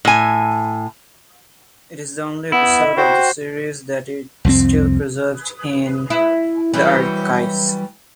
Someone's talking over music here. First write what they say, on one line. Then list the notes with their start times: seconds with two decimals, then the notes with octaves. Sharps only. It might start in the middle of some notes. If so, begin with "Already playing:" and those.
It is the only episode of the series that it still preserved in the archives.
0.05 A2 G#5
2.52 B3 E4
2.80 D#5
2.97 F#4 C5 G5
4.45 C2 F2 G3 C4
6.10 E4
6.74 E3 F#3 G3